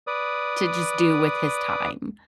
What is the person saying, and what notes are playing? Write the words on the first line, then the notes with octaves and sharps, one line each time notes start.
to just do with his time.
B4 D5 D#6